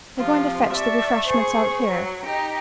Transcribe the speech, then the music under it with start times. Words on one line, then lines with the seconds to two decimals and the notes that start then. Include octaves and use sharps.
"They're going to fetch the refreshments out here."
0.17 C3 F3 C4 F4
0.71 D5 E5 A5 C#6
1.29 G#4 C5 C#6
1.91 F#3
2.21 D#4 G4 G5